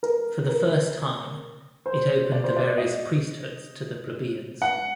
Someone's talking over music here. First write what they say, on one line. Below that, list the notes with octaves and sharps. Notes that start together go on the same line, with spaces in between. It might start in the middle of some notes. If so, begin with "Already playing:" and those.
For the first time, it opened the various priesthoods to the plebeians.
A#4
A#4
C5
D5
C5
D5
D#5
F#5